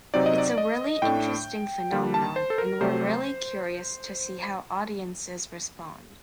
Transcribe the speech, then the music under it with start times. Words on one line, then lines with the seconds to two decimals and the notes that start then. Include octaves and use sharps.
It's a really interesting phenomenon and we're really curious to see how audiences respond.
0.14 C3 F#3 C4 D#4 D5
0.26 D#5
0.38 D5
0.58 D#5
1.02 A2 A3 D4 G5
1.92 D3 G3 A#3 D4
2.14 A5
2.36 C5
2.50 A4
2.58 A#4
2.81 C3 F#3 A3 C5